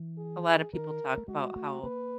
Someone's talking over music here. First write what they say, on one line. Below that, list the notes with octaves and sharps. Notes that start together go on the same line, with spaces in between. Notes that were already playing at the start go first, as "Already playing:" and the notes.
a lot of people talk about how
Already playing: E3
G#4
D#3 A#4
A3
G#3 F#4
A3
A#3 B4